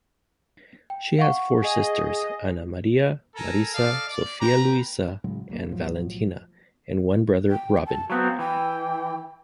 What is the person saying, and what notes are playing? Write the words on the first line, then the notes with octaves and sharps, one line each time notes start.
She has four sisters: Anna Maria, Marisa, Sophia-Luisa, and Valentina; and one brother, Robin.
G5
F5 F#5 C#6
G#4 D#5
A4 A#4 G#5 A#5
A4 D5 D#5 F5
D5
B4 G5 A#5
A2 C#3 F#3 G#3
D#1 B1 F#2 A#3
B1 A2 F3 F#3
G5
A5
F#3 B3 C4 F5
E3 G5